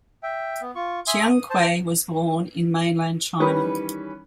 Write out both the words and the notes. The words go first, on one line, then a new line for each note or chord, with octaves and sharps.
Chiang Kuei was born in mainland China.
E5 G5
B3
F4 C#6
E5 G#5 C6 D#6
D#6
C5 A5
D#3 E3 G3 C#4 B4